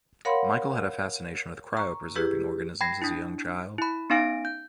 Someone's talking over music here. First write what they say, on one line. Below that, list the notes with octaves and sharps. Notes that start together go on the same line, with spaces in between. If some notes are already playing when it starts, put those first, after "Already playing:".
Michael had a fascination with cryopreserving organisms as a young child.
A#4 C#5 F5 F#5 B5 C6
A#5 C#6
E4 G4 G#4 B4
G5 B5 G#6 A#6 C7
D4 E4
E4 B5
B3 C#4 D#4 F5 A#6 D7
G6